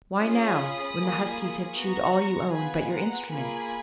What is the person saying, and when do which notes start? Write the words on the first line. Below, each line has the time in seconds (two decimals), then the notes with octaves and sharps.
'Why, now, when the huskies have chewed all you own but your instruments?
0.19 C#4 F4 G#4 B5 D#6
0.97 A#3 F4 G#4
1.74 B3 F#4 A#5 C#6
2.51 B3 F4 G#4 G#5 B5
2.91 F#5 A#5
3.29 A#3 F4 G#4 G#5 B5